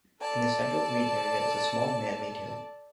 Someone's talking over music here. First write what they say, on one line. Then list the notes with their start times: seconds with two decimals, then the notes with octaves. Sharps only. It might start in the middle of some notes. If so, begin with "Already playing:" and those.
In the central green area is a small man-made hill.
0.21 A4 D5 A5